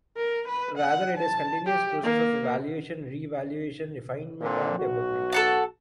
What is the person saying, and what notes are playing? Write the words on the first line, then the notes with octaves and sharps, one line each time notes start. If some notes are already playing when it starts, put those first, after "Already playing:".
Rather it is a continuous process of evaluation, reevaluation, refinement, and development.
A#4
B4
F#5
A5
G4
A#3
A#2 D3 C4
B1 F#4
A4 F#5 A5